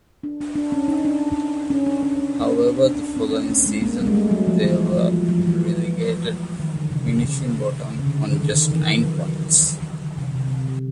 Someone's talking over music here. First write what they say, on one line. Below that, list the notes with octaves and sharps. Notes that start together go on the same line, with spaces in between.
However, the following season they were relegated, finishing bottom on just nine points.
D4
D4
D4
C#4
D#4
D4
C#4
D4
C#4
D4
D4
C#4
C#4
D4
D4
C4
C#4
A3
G#3
A#3
G3
G#3
A3
F#3
F3
E3
F3
F3
E3
F3
F3
E3
D#3
D3
C3
C#3
C#3
D3
D#3
D#3
E3
F3
F#3
D3
C3
C3
C3